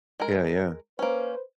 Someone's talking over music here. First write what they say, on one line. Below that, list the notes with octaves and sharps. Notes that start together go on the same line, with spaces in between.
Yeah, yeah.
G#3 A#4
A#3 C#4 B4 C5